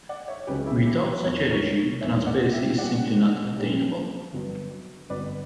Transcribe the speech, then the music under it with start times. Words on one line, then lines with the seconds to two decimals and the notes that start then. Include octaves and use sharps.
Without such a regime, transparency is simply not attainable.
0.09 D5 F#5
0.28 C#5 E5
0.47 C#2 C#3 F#3 C#4 G4 B4
0.66 E4 G4
0.86 E4 G4
1.05 G4 B4
1.24 E1 E2 B2 A#4 C#5
1.50 A#4 C#5
2.01 E1 E2 B2 C#5 E5
2.27 D5 F#5
2.53 E5 G5
2.70 G5
2.78 A#1 A#2 G3 C#4 G4 D5 F#5
3.56 A#1 A#2 G3 C#4 G4
4.33 G1 G2 F#3 B3
5.10 G1 G2 F#3 B3 B4 D5